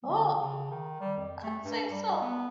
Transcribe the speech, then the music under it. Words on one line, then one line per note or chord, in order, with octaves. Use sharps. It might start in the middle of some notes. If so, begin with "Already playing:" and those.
Whoa. I'd say so.
D3
C#3
D#3
G3
F2
A3
G2
G3
G3
B3